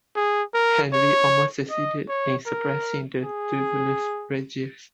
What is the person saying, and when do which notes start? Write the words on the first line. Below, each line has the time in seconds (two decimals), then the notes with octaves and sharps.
Henry almost succeeded in suppressing the "Titulus Regius".
0.16 G#4
0.54 A#4
0.93 C#5
1.70 D#5
2.08 C#5
2.46 A#4
3.24 G#4